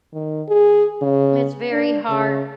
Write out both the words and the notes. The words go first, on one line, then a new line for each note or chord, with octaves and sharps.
Mm, it's very hard,
D#3
G#4
C#3
D4
C#3